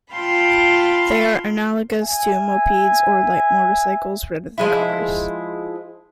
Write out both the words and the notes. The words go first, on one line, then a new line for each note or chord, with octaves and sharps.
They are analogous to mopeds or light motorcycles rather than cars.
F4 F5 G5 A5 B5 C6
E5 G#5
F3 G#3 E4